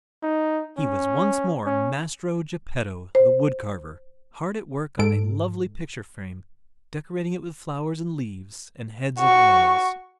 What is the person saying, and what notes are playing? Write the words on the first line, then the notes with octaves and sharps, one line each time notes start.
He was once more Mastro Geppetto, the wood carver, hard at work on a lovely picture frame, decorating it with flowers and leaves, and heads of animals.
D#4
C#4
C#4
C5
G#2 A4 D7
F#4 C#6